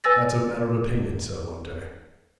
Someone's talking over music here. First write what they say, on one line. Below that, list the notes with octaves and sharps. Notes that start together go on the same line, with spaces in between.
'That's a matter of opinion,' said Loveday.
B4 G#5 E6 A6 A#6